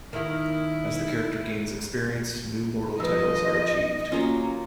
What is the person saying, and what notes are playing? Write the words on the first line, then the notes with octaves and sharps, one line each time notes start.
As the character gains experience, new mortal titles are achieved.
D#3 A#3 E4
F3 B4 D#5 E6
F#3 A#3 C#4 F4